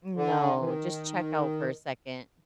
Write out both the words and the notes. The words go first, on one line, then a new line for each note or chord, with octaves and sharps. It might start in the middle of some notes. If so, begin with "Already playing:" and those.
Mm, no just check out for a second.
D3
E3
D#3